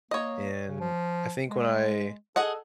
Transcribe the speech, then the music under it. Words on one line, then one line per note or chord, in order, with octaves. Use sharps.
And, I think when I
A#3 C#5 D#5
C#3
F3
G#3
G#4 A4 D#5 F#5